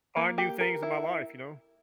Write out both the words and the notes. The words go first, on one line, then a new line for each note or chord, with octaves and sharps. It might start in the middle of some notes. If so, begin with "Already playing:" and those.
find new things in my life, you know?
A#3
G4
A#4
E4